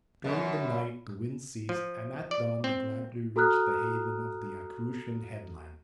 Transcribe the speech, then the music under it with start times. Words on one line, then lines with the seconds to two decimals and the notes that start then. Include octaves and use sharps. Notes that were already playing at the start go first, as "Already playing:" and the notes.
During the night the wind ceased and at dawn they gladly reached the haven of the Acherusian headland.
0.24 F#2 B2
1.69 F3
2.31 D5
2.64 C4
3.36 F#4 A4 A#5 D#6 F6 F#6